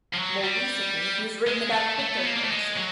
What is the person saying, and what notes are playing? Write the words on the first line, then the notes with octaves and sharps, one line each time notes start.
More recently, he has written about cryptocurrency.
F3
F#3
G3
G#3
A3
A3
B3
A#3
A#3
A3
G#3
F#3